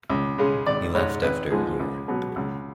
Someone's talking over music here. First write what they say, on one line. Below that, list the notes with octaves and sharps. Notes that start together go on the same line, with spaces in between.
He left after a year.
C#2
C#3 G#3
G#1 D5
G#2 G#3 C#5
G#1 B4
G#2 F3 G#3 G#4
C#2
B2 F#3
C#2